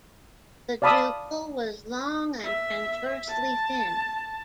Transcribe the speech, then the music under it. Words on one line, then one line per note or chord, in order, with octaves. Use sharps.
The jugal was long and transversely thin.
D5 F5 A5 B5 D#6 E6
E5
A5